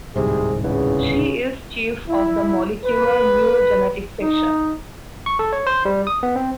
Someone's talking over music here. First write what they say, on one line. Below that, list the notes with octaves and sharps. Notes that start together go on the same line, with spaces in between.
She is chief of the Molecular Neurogenetics Section.
D1 C2 G#2 C3 G#4
E2 C#3
E4
B4
D#4
C#6
A4
C#5
C5
G3
D#6
B3
C4